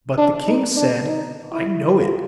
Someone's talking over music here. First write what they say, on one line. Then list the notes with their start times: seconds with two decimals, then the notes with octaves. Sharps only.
But the king said, 'I know it.
0.18 D4
0.47 D#4
0.76 D4
1.07 D#4
1.52 E4
1.96 F4